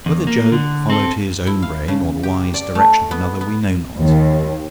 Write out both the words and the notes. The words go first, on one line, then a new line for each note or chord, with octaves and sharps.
Whether Job followed his own brain, or the wise direction of another, we know not.
E2
A#3
D3
C4 A4
E4
F5
C#3
G4
D5
A3
B3
B3
D#2